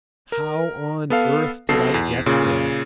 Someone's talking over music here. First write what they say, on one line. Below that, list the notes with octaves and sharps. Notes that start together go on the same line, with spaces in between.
How on earth did I get there?
A#4
B3 A4 F5
B1 B2 A4 C7
E2
A#2 C#3